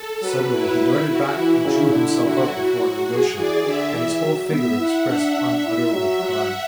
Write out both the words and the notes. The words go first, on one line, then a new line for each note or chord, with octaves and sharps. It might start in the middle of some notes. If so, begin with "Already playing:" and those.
Suddenly he darted back and drew himself up before Alyosha, and his whole figure expressed unutterable pride.
Already playing: A4
F#3 B4
E4
F#4
E3 E4
C#3
D3 E4
D3 F#4
F#3
G#4
E3 D5
D3 E5
E3
F#3
B3 E5
E4 F#5
D4 E5
D4
E4 E5
F#3 E5
F#3 F#5